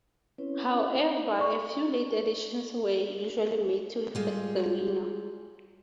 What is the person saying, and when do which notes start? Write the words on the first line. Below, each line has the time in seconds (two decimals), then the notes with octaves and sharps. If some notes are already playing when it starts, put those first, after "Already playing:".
However, a few late additions are usually made to reflect the winner.
0.38 C4 C#4 E4 B4 C#5
1.39 D5 C#6
4.15 G3 G#3 F4